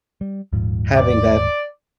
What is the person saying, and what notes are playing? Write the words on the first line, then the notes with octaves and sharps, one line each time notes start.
having that
G3
D#1 G#2 F3
D5